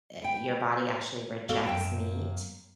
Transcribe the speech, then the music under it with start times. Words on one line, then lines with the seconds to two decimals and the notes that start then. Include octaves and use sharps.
uh, your body actually rejects meat.
0.22 B4 G5
1.49 A#3 F#4 A4 C5 F5
1.65 F#2 A#3 G5 A5